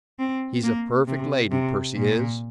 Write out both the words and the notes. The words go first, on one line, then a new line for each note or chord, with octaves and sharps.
He's a perfect lady, Percy is.
C4
A#3
C3
C3
A#2